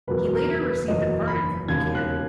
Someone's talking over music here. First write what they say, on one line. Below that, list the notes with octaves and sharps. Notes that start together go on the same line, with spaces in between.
He later received a pardon from Buchanan.
F#1 E2 B2 F#3 A#3 B4
A#4
B4
F#1 E2 B2 F#3 A#3 D#5
B5
E1 D#2 C#3 G#6
F#6